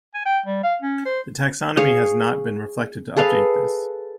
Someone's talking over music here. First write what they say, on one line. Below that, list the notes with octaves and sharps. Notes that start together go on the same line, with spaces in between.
The taxonomy has not been reflected to update this.
G#5
G5
G3
F5
C#4
C5
G#4 C#5 F5
G#4 A4 B4 F5